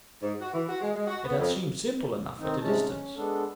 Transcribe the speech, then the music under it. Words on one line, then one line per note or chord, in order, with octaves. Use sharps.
It had seemed simple enough at a distance.
G#2
F#4
E3
F#4
G#3
G#3
F#4
B3
F2
D#3 C4 D#4
G#2 C3 G#3 C#4 A5
C#4
G#3 B3 D4 A4